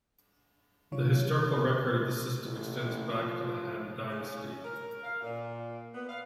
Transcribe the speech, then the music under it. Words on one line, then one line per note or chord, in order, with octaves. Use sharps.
The historical record of the system extends back to the Han Dynasty.
D3 D#3 F#3 F4 C#5
A1
F3
C#3
C#4
A#4
F5
A#2
B3
F5